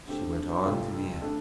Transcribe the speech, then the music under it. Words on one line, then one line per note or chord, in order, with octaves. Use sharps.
She went on to the end.
D3 A3 C4 G4
F2 C3 A3 F4
D3 A3 D4